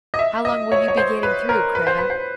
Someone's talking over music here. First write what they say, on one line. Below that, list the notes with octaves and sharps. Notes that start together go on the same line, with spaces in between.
"How long will you be getting through, Kreta?"
D#5
E5
D#5
C#5
C#5
C5
B4
A#4
B4
C5
B4
C5